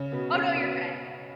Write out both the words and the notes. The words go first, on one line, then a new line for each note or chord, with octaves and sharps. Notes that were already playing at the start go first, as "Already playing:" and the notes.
Oh no, you're good.
Already playing: C#3 C#4
B2 B3
C#3 C#4
B2 B3